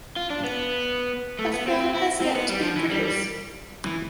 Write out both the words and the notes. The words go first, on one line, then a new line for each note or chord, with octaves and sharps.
A film has yet to be produced.
F4
D4
B3
A3
B3
C4
C4
E4
C4
B3
G3
F3
E3
G3
G3
E3